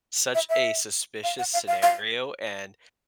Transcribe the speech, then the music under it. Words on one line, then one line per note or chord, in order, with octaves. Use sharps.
such a suspicious scenario, and
E5
E5
F5
F#5
F5
F5
F5